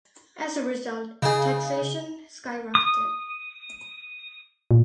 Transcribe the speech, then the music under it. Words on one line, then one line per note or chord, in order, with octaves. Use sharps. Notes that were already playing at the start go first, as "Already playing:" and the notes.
As a result, taxation skyrocketed.
C#3 D#4 G#4
D#6
A#2